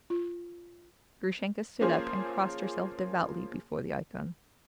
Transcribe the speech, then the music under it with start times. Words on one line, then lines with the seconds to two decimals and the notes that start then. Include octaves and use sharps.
Grushenka stood up and crossed herself devoutly before the ikon.
0.10 F4
1.81 F3 A#3 C#4 G#4 C5